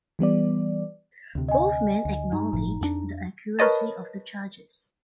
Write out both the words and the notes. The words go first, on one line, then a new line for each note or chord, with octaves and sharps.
Both men acknowledged the accuracy of the charges.
E3 G3 B3 D5
D2 C3
D#5 G#5
D2
G2 D#4 A#5
G1 A2 F3
F2 F3 D4
A#4 B4 C#5 D#5 A5